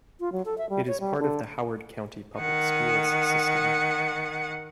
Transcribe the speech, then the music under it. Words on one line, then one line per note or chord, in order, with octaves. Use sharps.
It is part of the Howard County Public Schools system.
F4
F#3
A4
E5
G3
C#5
G3
D3
D#3 F#5